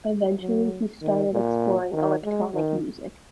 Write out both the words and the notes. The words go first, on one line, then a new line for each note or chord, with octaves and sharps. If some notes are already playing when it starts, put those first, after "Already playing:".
Eventually he started exploring electronic music.
F#3
D#3
A#2
D#3
G#3
D#3